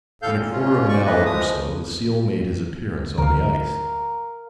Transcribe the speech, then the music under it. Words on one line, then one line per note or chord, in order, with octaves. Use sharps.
In a quarter of an hour or so the seal made his appearance on the ice.
D#2 A2 A4 F5 G6
A#2
B2 C#4 F4
D5 C#6
E3 F3 A3 A#3 B4 D#5
F3 G#3 D#6
D2 A#4 F5